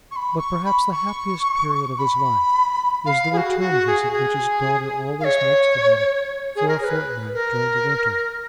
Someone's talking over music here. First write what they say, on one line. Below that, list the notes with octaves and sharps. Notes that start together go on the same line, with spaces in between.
But perhaps the happiest period of his life is the return visit which his daughter always makes to him for a fortnight during the winter.
C#6
B5
C#6
B5
C#6
B5
F5
G#4
F#4
F#4
G#4
G#4
F5
C#5
G#4
A#4
C#5
B4
A#4